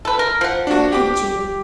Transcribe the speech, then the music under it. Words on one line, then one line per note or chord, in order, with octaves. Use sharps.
I hate you.
A4 B4
A#4
F3 F#5
D4 F#4
G4 D6